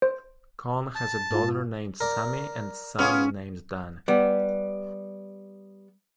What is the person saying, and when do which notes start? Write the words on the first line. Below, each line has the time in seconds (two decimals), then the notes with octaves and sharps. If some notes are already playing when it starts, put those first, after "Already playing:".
Cohn has a daughter named Sammy and a son named Dan.
0.02 C5
0.95 A5
1.31 G#2 F4
2.01 A#4 D5
2.99 B3 C#4 F4 G#4
4.08 G3 B3